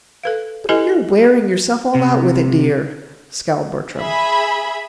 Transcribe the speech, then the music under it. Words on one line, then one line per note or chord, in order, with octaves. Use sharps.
"But you're wearing yourself all out with it, dear," scowled Bertram.
A4 B4 F5
E4 G4 A4 B4 D#5 G#5
C3
G#4 E5 B5